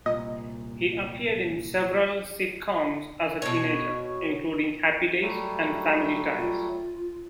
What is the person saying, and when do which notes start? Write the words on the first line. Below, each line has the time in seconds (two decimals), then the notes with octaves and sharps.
He appeared in several sitcoms as a teenager, including "Happy Days" and "Family Ties".
0.06 C2 A#2 D#5
3.42 B2 C#5
5.22 F#3 G3 A3
6.38 F4